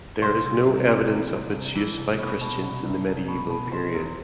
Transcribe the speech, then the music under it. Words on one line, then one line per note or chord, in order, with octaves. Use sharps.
There is no evidence of its use by Christians in the medieval period.
C2 C5
C2
C2
C3
E3
C2
C2
E3
C2
B2
B2
C2
C2
C2
B2
B2
B2 C5
E2